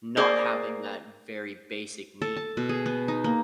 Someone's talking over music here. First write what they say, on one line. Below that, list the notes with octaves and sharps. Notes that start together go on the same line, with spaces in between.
not having that very basic need.
A#3 G#4 C5 D5
A4
A5
B2
G#4
B3
D#4
A#3